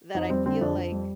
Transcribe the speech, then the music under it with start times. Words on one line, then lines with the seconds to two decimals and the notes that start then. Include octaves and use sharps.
that I feel like
0.15 F2 D#4
0.30 G3 C4
0.46 D3 C4
0.61 F2 D4
0.77 F2
0.92 G3